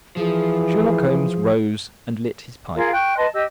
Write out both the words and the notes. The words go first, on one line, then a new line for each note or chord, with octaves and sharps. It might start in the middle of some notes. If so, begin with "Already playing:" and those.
Sherlock Holmes rose and lit his pipe.
E3 F3 G#4
F4 G#4 A#4 F5
G5 C#6 F#6
B4 D#5 A5 C6
G4 D#5 E6